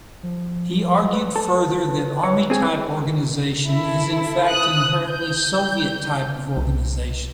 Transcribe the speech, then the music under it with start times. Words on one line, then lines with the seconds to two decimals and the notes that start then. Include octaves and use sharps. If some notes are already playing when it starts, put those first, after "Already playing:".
He argued further that "army-type organization is in fact inherently Soviet type of organization".
0.23 F3
1.13 B4
1.36 A4
2.23 C#5
2.50 C4 G#4
3.68 E4 A4
4.45 D#6 F#6
5.07 G6
6.57 C2